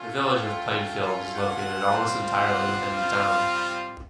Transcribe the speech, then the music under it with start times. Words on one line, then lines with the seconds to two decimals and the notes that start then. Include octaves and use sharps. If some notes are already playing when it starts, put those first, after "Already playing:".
The Village of Plainfield is located almost entirely within the town.
Already playing: A3 C#4 F4
0.29 G5
1.34 F#5
1.87 G3 C4 F4
2.41 F#5
2.94 F5